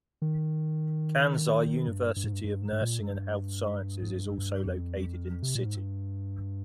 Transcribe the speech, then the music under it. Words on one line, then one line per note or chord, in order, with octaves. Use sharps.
Kansai University of Nursing and Health Sciences is also located in the city.
D#3
G2
G2
G#2
G2
G2
G#2
G#2
A#2
G2
G#2
G2
G2
F2
C3
A#2
G#2
G2